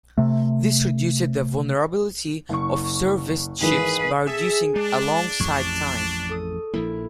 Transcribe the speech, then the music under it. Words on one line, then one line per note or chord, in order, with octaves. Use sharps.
This reduces the vulnerability of serviced ships by reducing alongside time.
C3 A3
F#1 C#6
G#1 D#3 E3 G#4 B4
G#4 A4 E5
G#3 D4
A1 F2 C#6 G#6
A4 D#6
A#1 F3 A#3 E4